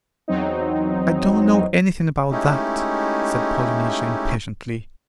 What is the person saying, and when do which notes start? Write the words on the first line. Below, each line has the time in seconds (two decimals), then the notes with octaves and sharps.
"I don't know anything about that," said Polynesia impatiently.
0.28 E2 F#3 C4 D#4
2.31 G#3 A3 C#4 D#4 E4 G4